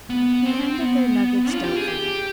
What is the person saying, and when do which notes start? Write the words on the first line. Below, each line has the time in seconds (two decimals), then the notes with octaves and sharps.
He handled their nuggets doubtfully.
0.10 B3
0.45 C4
0.81 B3
1.52 F4
1.64 G4
1.76 G#4
1.88 G4